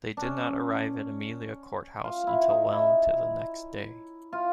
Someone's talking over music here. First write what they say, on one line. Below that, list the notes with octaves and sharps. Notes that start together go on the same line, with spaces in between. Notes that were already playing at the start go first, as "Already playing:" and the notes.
They did not arrive at Amelia Court House until well into the next day.
C#4 D4
F4
E4
D#4
E4
F4